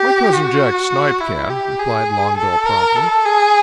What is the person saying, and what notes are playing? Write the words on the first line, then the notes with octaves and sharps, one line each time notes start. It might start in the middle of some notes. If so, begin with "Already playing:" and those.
"My cousin, Jack Snipe, can," replied Longbill promptly.
Already playing: G4
F#4
E4
G4
G#4
A4
A#4
A4
G#4